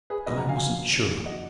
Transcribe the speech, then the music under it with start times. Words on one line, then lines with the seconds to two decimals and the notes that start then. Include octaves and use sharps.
I wasn't sure.
0.10 G#4 B4
0.26 F#1 F2 D3 F#3 B3 B4 D#5
0.37 F#5 A#5
0.49 F5 G#5
0.92 F#1 F2 D#3 F#3
1.25 D#5 F#5